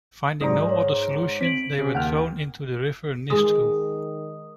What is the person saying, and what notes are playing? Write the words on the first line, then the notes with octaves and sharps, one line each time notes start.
Finding no other solution, they were thrown into the river Nistru.
G#2 F#3 D#4 D5 A#5 D#6
C#5
C4 B6 D7 F#7
C#3
D#2 F#5 G5 F6
D#3 G#3 D#6